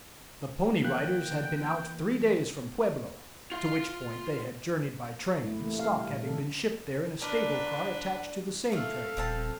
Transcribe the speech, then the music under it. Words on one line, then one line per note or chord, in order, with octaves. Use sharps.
The Pony Riders had been out three days from Pueblo, to which point they had journeyed by train, the stock having been shipped there in a stable car attached to the same train.
E3 A#3 G5 F#6
F4 F5
A3 E4
C3 E3 A3 A#3
A#3 F5
G3
A#2
D#3 A4
D3 D4 A#4 B4 D5
A3 F4 A4 F5
D#1 F3 C4 A5